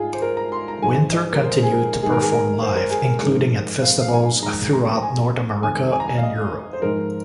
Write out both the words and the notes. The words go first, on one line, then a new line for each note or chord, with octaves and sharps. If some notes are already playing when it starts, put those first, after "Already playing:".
Winter continued to perform live, including at festivals throughout North America and Europe.
Already playing: G#2 G#3 F4 G#4
C5
A#4
A#5
C6
A#5
G#2 F3 G#3 G#5
D#5
A#4
C5
G#4
A#4
G#2 D#3 G#3 G#4
A#4
G#4
A#4
C5
A#4
G#4
A#4
G#2 F3 G#3
F5
F5
G#5
G#2 F3 G#3 A#5
A#5
G#5
F2 D#3 G#3 G#5
G#5
A#5
G#5
F5
D#5
C5
G#2 F3 G#3 A#4